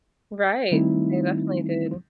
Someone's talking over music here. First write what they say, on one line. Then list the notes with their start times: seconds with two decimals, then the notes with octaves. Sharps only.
Right. They definitely did.
0.72 D#3 G3 A3 C4 D#4 E4